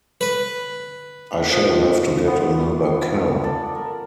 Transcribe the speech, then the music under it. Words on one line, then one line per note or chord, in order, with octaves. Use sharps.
I shall have to get another cow!
B4
F3 D#5
B3 F4
A4 D5
A#4